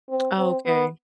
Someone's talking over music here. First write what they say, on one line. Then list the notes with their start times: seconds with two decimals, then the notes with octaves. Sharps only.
Oh, okay.
0.09 C4
0.37 C4
0.65 B3